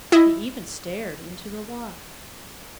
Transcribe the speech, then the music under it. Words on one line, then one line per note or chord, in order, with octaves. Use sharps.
He even stared into the water.
E4 D#5